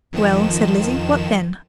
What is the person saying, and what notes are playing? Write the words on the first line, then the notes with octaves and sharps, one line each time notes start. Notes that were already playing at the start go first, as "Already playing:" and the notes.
"Well," said Lizzie,--"what then?"
F2 D#3 F3 E7